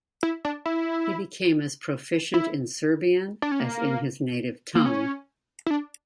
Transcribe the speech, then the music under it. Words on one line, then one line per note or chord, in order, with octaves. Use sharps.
He became as proficient in Serbian as in his native tongue.
E4
D4
E4
E4
D4
C#4
A#3
A#3
C#4
E4
D4